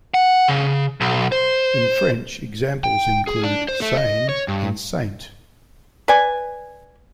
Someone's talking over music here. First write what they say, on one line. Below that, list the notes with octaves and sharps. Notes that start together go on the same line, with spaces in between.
In French, examples include "sain" and "saint".
F#5
C#3
B1
C5
G5
G#4
D4
C5
A3
D#5
C#5
G2
B4 D5 G#5